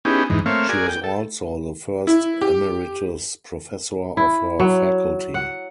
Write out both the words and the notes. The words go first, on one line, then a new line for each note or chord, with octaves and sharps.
She was also the first emeritus professor of her faculty.
B3 C#4 D#4 E4 G4 G#4
E2 G#2 E3 D#4
A3 A#3 C4 C#5 E5 F5
F#4 G#4 A#4 D5 G#5
G5
A4
E4
G4
E4
F#3
F#5